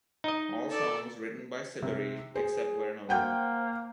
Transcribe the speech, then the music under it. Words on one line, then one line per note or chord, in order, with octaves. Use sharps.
All songs written by Siberry, except where noted.
D#4 D#5
A4 D5
C3
G#4 C5
A#3 C5 F#5 G5 G6